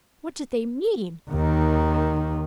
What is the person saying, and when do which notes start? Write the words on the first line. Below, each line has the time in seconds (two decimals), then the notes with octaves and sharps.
What did they mean?
1.30 D#2 D#3